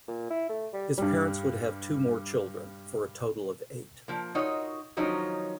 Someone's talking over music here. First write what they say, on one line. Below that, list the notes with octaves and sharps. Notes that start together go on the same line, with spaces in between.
His parents would have two more children, for a total of eight.
A#2
E4
A3
G3
G2 G3
F3 A#3
D#4 F4 F#4 A#4 C#5 D#5
D#3 F3 F#3 C#4 D#4